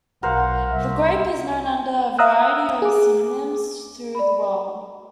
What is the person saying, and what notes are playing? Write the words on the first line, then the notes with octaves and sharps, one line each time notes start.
The grape is known under a variety of synonyms through the world.
B1 A#4 C5 F5 F#5
C2 E5
E5 F5 A#5 D#6 E6 F#6
G#4 D6
D5 B5